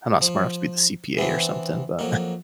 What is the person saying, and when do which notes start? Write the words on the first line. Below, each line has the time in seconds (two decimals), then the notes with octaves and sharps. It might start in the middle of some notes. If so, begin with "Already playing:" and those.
I'm not smart enough to be the CPA or something, but
0.21 F3
1.18 E3 B3 C4 D4
1.99 F2 F#3 A#3